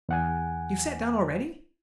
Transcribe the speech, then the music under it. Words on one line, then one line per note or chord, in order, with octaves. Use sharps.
You've sat down already?
E2 F#5 G#5